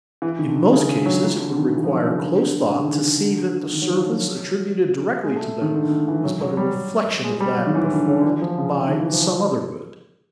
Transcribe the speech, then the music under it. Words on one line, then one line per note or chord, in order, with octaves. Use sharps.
In most cases it would require close thought to see that the service attributed directly to them was but a reflection of that performed by some other good.
E3
D#3
D3
D#3
C#3
D3
F#3
E3
D3
D#3
E3
F3
F#3
C#3
D3
D3
C#3
D#3
D3
D3
D3
D#3
F#3
F3
F#3
G#3
A3
D#3
D3
D#3
E3
F#3
F#3
G3
G#3
G3
F#3
D#3
E3
D3
D3
E3
F3
C#3
D#3
E3
F3